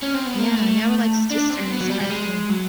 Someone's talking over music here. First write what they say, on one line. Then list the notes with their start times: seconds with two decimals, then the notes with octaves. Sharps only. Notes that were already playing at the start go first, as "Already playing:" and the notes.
Yeah, yeah, we're like sisters, practically.
0.03 C#4
0.15 C4
0.26 B3
0.38 A#3
0.51 A3
1.30 D4
1.50 C4
1.70 B3
1.80 F#3
1.90 G3
2.00 G3
2.10 G#3
2.49 F#3